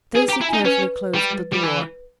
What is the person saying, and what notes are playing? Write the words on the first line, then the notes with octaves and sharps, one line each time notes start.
Stacey carefully closed the door.
G#4 B4
G4
A#5
E4
D#4 G#5
C#4 B4
G3
G3
E3